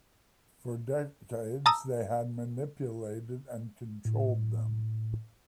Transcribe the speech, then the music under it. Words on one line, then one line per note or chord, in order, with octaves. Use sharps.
For decades they had manipulated and controlled them.
A5 A#5 D#6 E6
A2